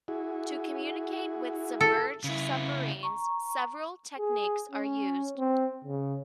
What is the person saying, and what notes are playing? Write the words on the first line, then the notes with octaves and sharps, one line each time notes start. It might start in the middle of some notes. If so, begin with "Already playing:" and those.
To communicate with submerged submarines several techniques are used.
E4 F#4 G#4
A4
C#3 E4
A#5 C#6
G#4
C#4
C4
C#3